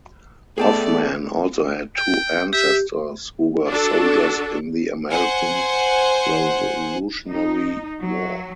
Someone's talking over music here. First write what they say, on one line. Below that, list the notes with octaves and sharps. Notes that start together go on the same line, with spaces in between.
Hoffman also had two ancestors who were soldiers in the American Revolutionary War.
A3 B3 G#4 D5 G5 A5
G5
G4 E5
D4 F#4 A4
C5 F#5 G#5
D#4
F#3